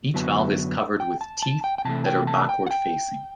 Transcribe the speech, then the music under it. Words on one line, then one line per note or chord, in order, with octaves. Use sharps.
Each valve is covered with teeth that are backward-facing.
F#2 D3 F#3 B3 E4 A5
G5
A5
A5
G5
G5
C3 E3 A3 A5
G5
A5
G5
F#5
G5